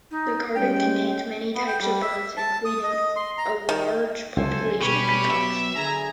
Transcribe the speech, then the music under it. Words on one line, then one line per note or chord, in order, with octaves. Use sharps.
The garden contains many types of birds, including a large population of peacocks.
D#4
G3 G#3 C#4 G5
B3
G5
G3
E5
A5
D#6
D#5
C6
A#5
D#3
C#2 D3 F#3 A4 C5 G#5
B2 G3 C#4 G4 B4 B5
F#3 B3 E5
D3 G#4 G#5 A#5